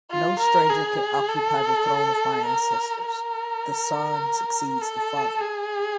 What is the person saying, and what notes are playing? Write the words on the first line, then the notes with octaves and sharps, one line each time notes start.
No stranger can occupy the throne of my ancestors: the son succeeds the father.
F4
A#4
G#4
A4
A#4
A#4
A4
G#4